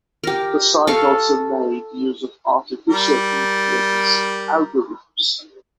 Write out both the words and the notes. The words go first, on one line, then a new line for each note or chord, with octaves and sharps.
The site also made use of artificial intelligence algorithms.
G4 A#4
A4 F5 C#6
G3 A#4